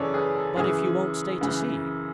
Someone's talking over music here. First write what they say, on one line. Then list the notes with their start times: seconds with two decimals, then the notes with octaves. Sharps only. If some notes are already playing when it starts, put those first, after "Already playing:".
"But if you won't stay to see!"
Already playing: F#2 C#3 E3 G#4 A4 B4 C#5 D5
0.14 G#4 B4
0.36 A4
0.56 F#2 C#3 E3 G#4
1.41 F#2 C#3 E3